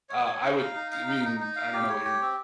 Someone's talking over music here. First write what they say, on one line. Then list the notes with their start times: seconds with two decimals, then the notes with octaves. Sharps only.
Uh, I would I mean, I don't know what your
0.09 C#5
0.26 C#5
0.42 D#4
0.58 F5
0.75 D#4
0.92 F5
1.08 D#4
1.24 D#4
1.40 D#4
1.56 F5
1.73 G4
1.89 C#5
2.05 G4
2.22 C4